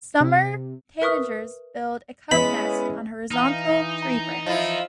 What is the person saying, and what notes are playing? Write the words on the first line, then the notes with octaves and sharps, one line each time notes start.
Summer tanagers build a cup nest on a horizontal tree branch.
C3
A#4 B4 E5 C#6 D#6 F6
G#3 B3 C#4 E4 D#5 B5 B6
E3 D#4 F5 A#5 F6
A#5
F3 E4 D#5